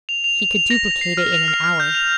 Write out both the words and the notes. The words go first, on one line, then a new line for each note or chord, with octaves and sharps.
He could duplicate it in an hour.
F7
F7
F7
F7
A#6
F7
C7
F6
F7
F6
F6
G6
F7